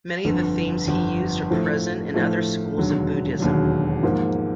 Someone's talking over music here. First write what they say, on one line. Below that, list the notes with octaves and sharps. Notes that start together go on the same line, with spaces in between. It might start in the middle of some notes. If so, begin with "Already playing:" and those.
Many of the themes he used are present in other schools of Buddhism.
G1 F2 D3
G1 F2 D3
A2 F3 A3
A2 F3 A3
E1 D#2 D3 F#3
E1 D#2 D3 F#3
G#2 F3 A#3